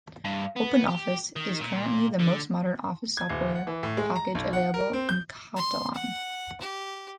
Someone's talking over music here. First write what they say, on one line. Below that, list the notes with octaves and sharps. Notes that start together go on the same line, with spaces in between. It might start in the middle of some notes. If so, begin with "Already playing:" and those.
OpenOffice is currently the most modern office software package available in Catalan.
G2
B3
G4
D#3
A#2
D3
G#6
D#1
F#5
E3
A2
G#3
A#5
B1
F#5
A#4
C4
G6
C6
F#5
G4